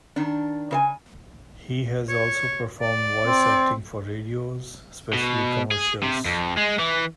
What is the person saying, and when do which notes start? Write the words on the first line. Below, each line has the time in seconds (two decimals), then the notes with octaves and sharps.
He has also performed voice acting for radio, especially commercials.
0.16 D#3 D4
0.71 C#3 C5 G#5
2.09 C#5
2.81 D5
3.27 C4
5.13 B2
5.72 G#4
6.03 C3
6.26 F2
6.57 G#3
6.79 E3